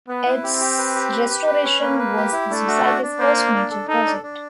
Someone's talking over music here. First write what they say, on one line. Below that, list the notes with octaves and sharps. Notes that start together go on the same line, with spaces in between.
Its restoration was the Society's first major project.
B3 B4
E4
C4 G4
G4
B4
G4
B4
G4
B4
C#4
A#3 B4
B4
G4
E4
A3 D4
F#4
D4
D4
A#3 C5
D4
D4
A4
D#4 A4
D4
D4